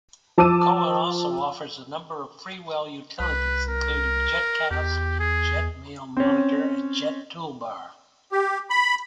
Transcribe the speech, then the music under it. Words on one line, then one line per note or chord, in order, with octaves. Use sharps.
Cowon also offers a number of freeware utilities, including "JetCast", "JetMailMonitor" and "JetToolBar".
F3 A5 D6 E6 D#7
C2 B4
A#4
E2 G4
G#4
C4 C#4
G4
B5